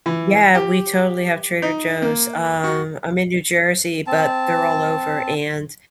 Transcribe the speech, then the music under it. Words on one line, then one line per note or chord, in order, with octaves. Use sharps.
Yeah, we totally have Trader Joe's. Um, I'm in New Jersey, but they're all over and
E3
G4
D#4
A#3
F#4
C4 A5